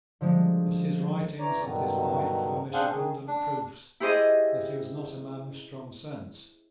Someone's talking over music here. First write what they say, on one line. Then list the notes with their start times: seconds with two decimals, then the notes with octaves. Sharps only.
But his writings and his life furnish abundant proofs that he was not a man of strong sense.
0.21 D3 F3 G3 G#3
1.39 E3 C#5 D5 A#5
1.62 G2 B2 D3 D#3 F#3
2.73 C4 D4 G#4 C5 F5 F#5
2.92 D#3 G#4
3.27 D4
4.00 E4 G4 G#4 C5 D#5